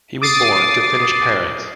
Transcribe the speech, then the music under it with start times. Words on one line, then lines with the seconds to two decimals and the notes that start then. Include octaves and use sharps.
He was born to Finnish parents.
0.22 D6 D#6 A6 C7